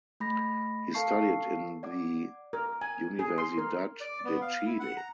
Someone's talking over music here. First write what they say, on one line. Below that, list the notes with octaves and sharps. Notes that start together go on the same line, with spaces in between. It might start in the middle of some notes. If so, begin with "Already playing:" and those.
He studied in the Universidad de Chile.
A3 B5 A#6
A4 A#4 F5 A5 C#6 C7
D5 F#5 D6
A#4
G#5
G#4
C6
A#4
D5
B3
F5
E4
F#5
A#5